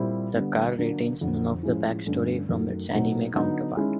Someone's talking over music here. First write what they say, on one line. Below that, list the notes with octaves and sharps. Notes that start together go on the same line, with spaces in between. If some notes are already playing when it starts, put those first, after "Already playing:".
The car retains none of the back story from its anime counterpart.
Already playing: A#2 G3 C4 E4
D3 G3 B3
D3 F#3 A#3 D4
F2 D3 F#3
A2 F3 G#3 C#4 E4
G2 D3 F3 A3 C#4
F#2 D#3 F#3 A3
B2 F#3 A3 C4 D#4
D3 F#3 B3 D#4
D#3 G#3 C#4 E4